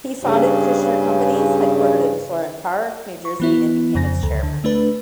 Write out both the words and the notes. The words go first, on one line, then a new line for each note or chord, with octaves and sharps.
He founded Kushner Companies-headquartered in Florham Park, New Jersey-and became its chairman.
G2 C#3
C#6
E3 B3 E4
F2 C#3 A#6
D2
D3
A3 D4 B4